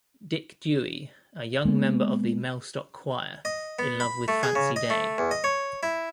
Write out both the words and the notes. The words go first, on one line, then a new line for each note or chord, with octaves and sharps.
Dick Dewy, a young member of the Mellstock Choir, in love with Fancy Day.
G#3 A#3 B3
D#5
B3
B5
A3
G#4
C#3
D#5
A3
E2
D#5
C#5
E4